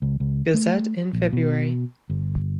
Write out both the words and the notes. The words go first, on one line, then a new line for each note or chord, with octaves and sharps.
Gazette in February.
C#2
C#2
A3
A#1
B2
G1